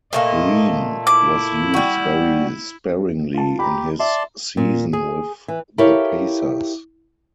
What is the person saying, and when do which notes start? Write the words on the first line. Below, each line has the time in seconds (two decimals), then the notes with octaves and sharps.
Greene was used very sparingly in his season with the Pacers.
0.13 A#2 A3 A#3 D#5
1.07 E4 D6
1.74 G3 F#4
3.34 F4 A5
3.59 G4 A#5 B5
4.00 D5 E5 A5 C6
4.57 A#2
4.93 G#4
5.48 E3
5.78 E4 G4 A4 A#4 C#5 F5